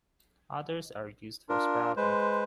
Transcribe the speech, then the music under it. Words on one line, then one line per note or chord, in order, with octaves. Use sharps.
Others are used for sprouting.
D4 F4 A#4
G#3 B4 C5